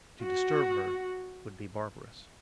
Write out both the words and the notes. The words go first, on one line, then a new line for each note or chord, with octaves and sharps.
To disturb her would be barbarous.
F#4